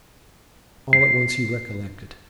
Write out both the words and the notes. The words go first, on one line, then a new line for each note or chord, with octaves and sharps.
All at once he recollected.
C7